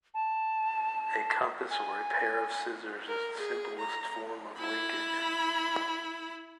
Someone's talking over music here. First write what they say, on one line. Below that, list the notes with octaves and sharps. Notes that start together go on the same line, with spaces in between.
A compass or a pair of scissors is the simplest form of linkage.
A5
G#5
A#4
G#4
A#5
E4 B5